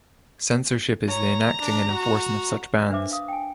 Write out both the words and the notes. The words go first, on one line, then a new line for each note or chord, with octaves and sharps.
Censorship is the enacting and enforcing of such bans.
C#5 A#5
D4
F#4
D4 B4 C5 E5 D6
F5 D#6
G5 G#5